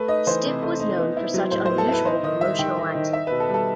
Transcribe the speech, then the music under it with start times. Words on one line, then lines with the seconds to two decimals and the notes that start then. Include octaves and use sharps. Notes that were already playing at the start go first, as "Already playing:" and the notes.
Stiff was known for such unusual promotional activity.
Already playing: A3 B4
0.08 D#4 D#5
0.27 E3 C5
0.45 C3
0.63 A3
0.80 D#4
0.98 B3
1.17 E4
1.34 F#3
1.51 A2 C5
1.66 B3 C5
1.78 A4
1.88 E4 B4
2.05 D#4 C5
2.23 D#3 D#5
2.41 G3 E5
2.59 D#3 G5
2.77 D#4
2.95 D#3
3.13 D#4 E5
3.27 B2 B4
3.40 A4
3.49 G3
3.54 A4